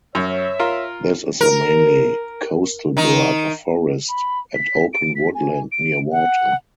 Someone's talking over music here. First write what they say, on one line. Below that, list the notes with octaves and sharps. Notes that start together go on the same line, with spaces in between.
This is a mainly coastal bird of forest and open woodland near water.
F#2 C#5 E5
F4 A#4
A#4
D#3 D#4
B5
B6
D7
B6
G#5
D7
F#5